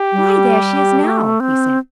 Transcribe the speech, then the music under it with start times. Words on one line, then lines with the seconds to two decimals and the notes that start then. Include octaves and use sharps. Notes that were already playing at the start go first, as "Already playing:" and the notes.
"Why, there she is now!" he said.
Already playing: G4
0.13 G3
1.03 A3
1.40 C4